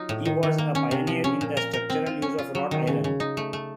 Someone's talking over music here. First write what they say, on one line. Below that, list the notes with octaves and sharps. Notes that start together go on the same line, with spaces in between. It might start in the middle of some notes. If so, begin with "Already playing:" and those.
He was a pioneer in the structural use of wrought iron.
Already playing: F#3 D#4 F4
A2
D#3
D#3
A#3
C#4
C3
F3
C#4
A#2
A#4
A#4
C4
F4
C#4
F4
F#3
D#3
C#3
C#3
D#4
A3
A3